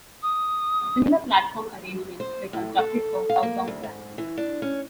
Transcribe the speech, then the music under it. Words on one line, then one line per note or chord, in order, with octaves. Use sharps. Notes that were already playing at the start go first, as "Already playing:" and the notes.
Similar platform arrangements were constructed for southbound tracks.
D#6
C5
A2
A4
F5
A#3
D2
G#2
E3
D4
C#4